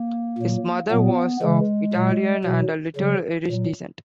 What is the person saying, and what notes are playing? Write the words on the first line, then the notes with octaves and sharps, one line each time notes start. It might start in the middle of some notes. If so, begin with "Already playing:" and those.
His mother was of Italian, and "a little Irish", descent.
Already playing: A#3
A#2 F#3
A#2 F#3 B3
C#3 E3 G#3
A#2 F#3
B2 F#3
C#3 F#3
A#2
F#3